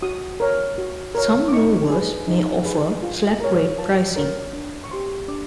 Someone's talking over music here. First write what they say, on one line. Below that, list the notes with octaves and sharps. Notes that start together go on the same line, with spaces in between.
Some movers may offer flat rate pricing.
F#4 D#6
A#4 C#5
F#4
A#4 C#5
D6
D#4 C#6
G#4 B4
D#4
G#4 B4
F4
A#4 C#5
F4 A5
A#4 C#5
D4
C#6
G4 C5 C6
D4 D6